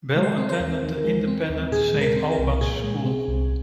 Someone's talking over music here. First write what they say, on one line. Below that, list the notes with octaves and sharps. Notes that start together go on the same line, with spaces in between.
Bell attended the independent Saint Albans School.
G#3
C5
C4
C5
A#4
D#2
D#3
G#3
C4
D#2
A#2 G#4
G#3
A#4
C4
A#4
C2
A#2 G#4
G#3
C4
C2